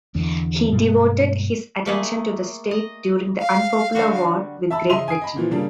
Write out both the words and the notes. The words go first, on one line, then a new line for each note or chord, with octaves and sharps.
He devoted his attention to the state during the unpopular war with Great Britain.
E2 D3
G2 B2 G#3 A#3
A3 A#3 G#4
D#5
F5
D3 G3 F#4
E5 A5 B5 E6
C#3 D#5 E5 C6 D#7 F7
G#5 D#6 C7 D7
D#5 B5
A#2 E3 F3
C#3 G3 A#3 D4